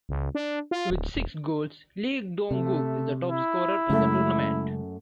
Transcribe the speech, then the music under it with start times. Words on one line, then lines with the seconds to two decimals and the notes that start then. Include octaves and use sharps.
With six goals, Lee Dong-Gook is the top scorer in the tournament.
0.09 C#2
0.35 D4
0.71 F4
0.90 D1
1.15 E1
2.51 C3 A3
3.28 E4
3.90 F#2 C#3 G#3 A3